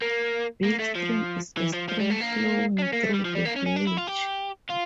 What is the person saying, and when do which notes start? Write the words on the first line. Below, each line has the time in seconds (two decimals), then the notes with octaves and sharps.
Big Stream is a stream flowing through the village.
0.02 A#3
0.64 A#3
0.79 A3
0.96 F3
1.57 E3
1.73 F3
1.89 F3
2.00 G3
2.10 A3
2.20 A#3
2.78 D4
2.82 C#4
2.93 A#3
3.03 A3
3.14 G3
3.25 F3
3.35 G3
3.45 A#3
3.56 C#4
3.66 C#4
3.76 D4
3.87 E4
3.97 F4
4.07 G4
4.70 F4